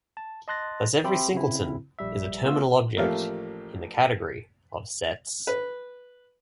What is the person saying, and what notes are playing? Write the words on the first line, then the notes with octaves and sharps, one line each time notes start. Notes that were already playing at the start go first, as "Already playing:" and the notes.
Thus every singleton is a terminal object in the category of sets.
A5
D#5 A5 C6 F#6 A6 A#6
C4 G4 E5 G5 B5 C6
C#3 C4 E4
A#1 G3 E5
A3 B3 F4 F5 E6
A1 F3 A3 A#3 G4 F5
B4